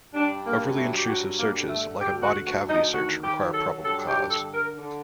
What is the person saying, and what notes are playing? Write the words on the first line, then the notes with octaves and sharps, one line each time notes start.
Overly intrusive searches, like a body cavity search, require probable cause.
G2 D4
A#3
F#3
A3
G4
G2 F#4
A#3
D3
A3
D2 G4
F#4
D2 F#4
D#4
D#3 F#4
G4
F#3
A4
G2 A4
G4
D3 A4
A#4
D3